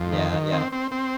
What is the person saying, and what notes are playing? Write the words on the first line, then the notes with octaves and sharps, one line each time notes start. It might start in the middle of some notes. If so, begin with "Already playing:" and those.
Yeah, yeah.
Already playing: F2
D#3
D#3
C4
C4
C4